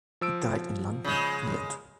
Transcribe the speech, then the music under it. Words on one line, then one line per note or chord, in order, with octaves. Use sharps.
He died in London, England.
F3 E6 D7
C#3 G#3